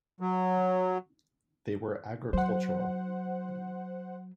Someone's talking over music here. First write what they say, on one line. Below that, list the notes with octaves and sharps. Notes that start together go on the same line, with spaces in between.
They were agricultural.
F#3
F#3 C5 F#5